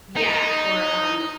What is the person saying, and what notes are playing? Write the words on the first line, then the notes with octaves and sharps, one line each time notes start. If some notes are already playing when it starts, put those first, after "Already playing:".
Yeah. Or, um
D#4